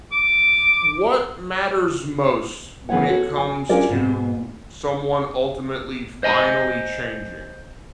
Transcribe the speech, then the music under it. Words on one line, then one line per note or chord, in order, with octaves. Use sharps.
What matters most when it comes to someone ultimately finally changing?
D6
E3 B3 E4 C#5 F#5
F#4 A4 C#5
G#5
C#4 D4 F4 G#4 A#4 D5
G#2 B2
C5 D#5 G#5 A#5